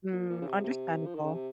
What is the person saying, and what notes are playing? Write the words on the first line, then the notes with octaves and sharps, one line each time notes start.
Hmm, understandable.
A#2
A#2
C#3
C3
C3
F3
D#3
C#3
C3